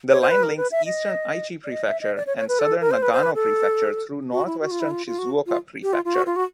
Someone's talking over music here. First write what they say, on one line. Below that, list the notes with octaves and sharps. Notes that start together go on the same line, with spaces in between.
The line links eastern Aichi Prefecture and southern Nagano Prefecture through northwestern Shizuoka Prefecture.
C#5
C5
B4
A#4
B4
E5
D#5
D5
D#5
E5
D#5
D5
C#5
C#5
B4
A4
A#4
C5
B4
C5
B4
A4
F#4
E4
F#4
F4
E4
F4
F4
F#4
F4
G4
F4
F4
F#4
F4
F#4